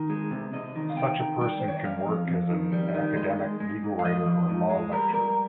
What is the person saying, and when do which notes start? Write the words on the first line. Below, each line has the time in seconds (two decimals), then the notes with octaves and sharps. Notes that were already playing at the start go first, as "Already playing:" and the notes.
Such a person can work as an academic, legal writer or law lecturer.
Already playing: D#3
0.10 G#3
0.31 C3
0.53 C3 D#5
0.76 D#3
0.90 F5
0.97 C3 G5
1.19 D#3
1.41 G3 G5
1.60 C5
1.63 D#3
1.68 C#5
1.77 D#5
1.84 G3 F5
2.07 F2
2.28 F2
2.50 D#3
2.72 G3
2.94 D#3
3.16 G#3 D#5
3.39 G#3
3.60 G#3
3.83 G#2
3.99 F5
4.04 F3 D#5
4.26 F3
4.49 G#2
4.70 G#3
4.92 G3 A#4
5.14 G3 A#4